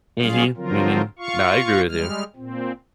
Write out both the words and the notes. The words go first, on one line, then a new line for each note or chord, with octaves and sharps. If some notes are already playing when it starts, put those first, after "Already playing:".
Mhm, mhm. No, I agree with you.
F#3 G3 C#4 F4 G#4 F5
D3 F3 F#3 C4 F4 A#4
F4 F5 C#6
G3 G#3 F6
A#2 C4